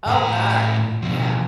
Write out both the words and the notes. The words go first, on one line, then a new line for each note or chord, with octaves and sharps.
Oh, god, yeah.
A2 A#5
B2 F3